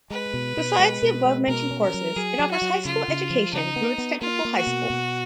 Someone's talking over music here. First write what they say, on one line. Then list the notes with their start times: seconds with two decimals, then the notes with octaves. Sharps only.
Besides the above-mentioned courses, it offers high school education through its Technical High School.
0.10 G#3 B4
0.34 B2
0.57 B2
0.79 G#3
1.02 B2
1.25 G#3
1.48 B2 A#4
1.71 C#4
1.82 A#4
1.94 F#3
2.16 F#3 G#4
2.39 F#3
2.51 F#4
2.62 F#3
2.85 C#3 F4
3.08 C#3
3.30 F3
3.53 C#3 D#4
3.76 B3
3.98 B3
4.21 A#3 F4
4.45 A#3
4.56 F#4
4.67 B2
4.90 B2